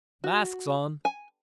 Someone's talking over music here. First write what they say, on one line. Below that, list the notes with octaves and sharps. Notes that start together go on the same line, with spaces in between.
Masks on!
F#4
G#5